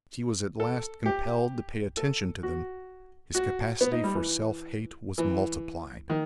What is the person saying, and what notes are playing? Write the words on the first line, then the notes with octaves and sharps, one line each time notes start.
As he was at last compelled to pay attention to them, his capacity for self-hate was multiplied.
A4
G4
A4
F#4
F#4
B3
D#4
G3
E3
E3
D#3